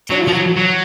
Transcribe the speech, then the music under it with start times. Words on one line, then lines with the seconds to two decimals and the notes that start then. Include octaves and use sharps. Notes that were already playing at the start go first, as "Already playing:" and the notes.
to me
0.10 F#3
0.28 F3
0.33 F#3
0.56 F#3